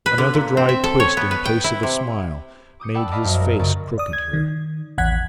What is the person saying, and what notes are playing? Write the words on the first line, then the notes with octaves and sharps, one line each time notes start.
Another dry twist in place of a smile, made his face crooked here.
B4
D3
A#2
C4
E5
A4
C#5
B3
B4
G5
E4
C3
D6 D#6 G6 C#7
D5 F#5 G5 A5 B5 E6
D5 D#5 F5 B5 D#6 B6
A#1 F#2
G#3 A#4
F#2 C#3 D#5 C#6 A6
D5 D#6
G#6
D#3
A1 E2 F#5 F#6 G#6 B6